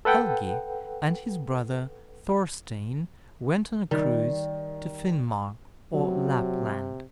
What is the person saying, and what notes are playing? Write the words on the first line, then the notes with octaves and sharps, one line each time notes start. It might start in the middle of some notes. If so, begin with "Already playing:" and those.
Helgi and his brother Thorstein went on a cruise to Finnmark, or Lapland.
A4 B4 F#5 G5
D#3 G3
C3 F#3